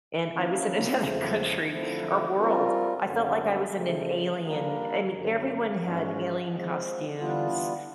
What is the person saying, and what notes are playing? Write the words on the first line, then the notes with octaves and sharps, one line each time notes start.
and I was in another country or world, I felt like I was in an alien I mean, everyone had alien costumes,
D#3 F#3 A#3 C#4 E4
E2 C#3 F3 A3
D3 F3 A3 C4 E4
G3 C4 F4 A#4
F#2 D3 F#3 B3
C#3 F3 A3
G3 A#3 D4 G4 A#4
F#2 D3 F#3
G#2 E3 G#3 C#4 F#4
F3 G#3 C4
E3 G3 B3 D4 F4